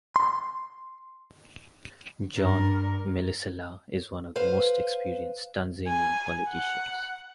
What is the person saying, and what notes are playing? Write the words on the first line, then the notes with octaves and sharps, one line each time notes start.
John Malecela is one of the most experienced Tanzanian politicians.
C6
G2 A#4
B4 C5 F5
G#5
F#5